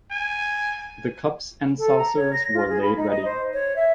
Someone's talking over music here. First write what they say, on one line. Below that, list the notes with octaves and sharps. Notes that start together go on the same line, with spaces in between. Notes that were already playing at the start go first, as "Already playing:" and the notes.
The cups and saucers were laid ready.
G#5
A4
A#5
C#5
A#6
F4
G#4
B5
D#4
D#5
C5
C#5
E5